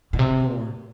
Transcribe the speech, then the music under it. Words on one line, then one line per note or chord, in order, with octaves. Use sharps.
I am born.
A#2
C3